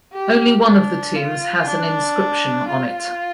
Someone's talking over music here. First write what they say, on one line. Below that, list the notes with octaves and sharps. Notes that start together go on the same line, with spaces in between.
Only one of the tombs has an inscription on it.
G4
D4
F4
D4
F4